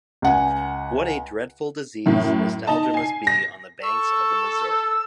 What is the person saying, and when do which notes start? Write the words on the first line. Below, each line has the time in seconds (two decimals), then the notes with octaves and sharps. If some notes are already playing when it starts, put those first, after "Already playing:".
What a dreadful disease nostalgia must be on the banks of the Missouri.
0.22 C#2 F#5 G#5
2.06 F#2 A2
2.67 D#4 D#5 A5
2.94 G#5 C7
3.27 A#6
3.83 A4 C#6 E6